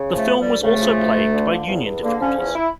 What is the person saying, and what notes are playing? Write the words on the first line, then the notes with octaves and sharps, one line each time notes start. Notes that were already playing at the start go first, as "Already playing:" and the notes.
The film was also plagued by union difficulties.
Already playing: C#3
F3
A3
D2
G3
D2
C#3 A3
F3
D2
D2
D3
F3
E2
E2
D3 A#3
F3 C#4
E2 C#4
E4